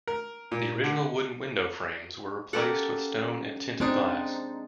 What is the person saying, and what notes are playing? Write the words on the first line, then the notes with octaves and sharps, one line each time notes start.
The original wooden window frames were replaced with stone and tinted glass.
A#4
A#2
D3
A#3 C#4 G4 A4 F#5
G#3 C4 D4 D#4